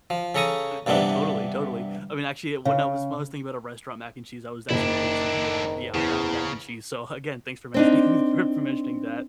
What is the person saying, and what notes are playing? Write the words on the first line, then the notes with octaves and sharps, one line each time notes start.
Oh, totally, totally. I mean, actually it when I was when I was thinking about a restaurant mac and cheese, I was actually picturing the, uh, the Outback mac and cheese, so again, thanks for mentioning for for mentioning that,
F3
C#3 C#4 A4 A#5 C#6 D#6
G2 C3 E3 B3 D4
C#3
F#1 D#3 D4 E4
E2 C#3
C4 D4 D#4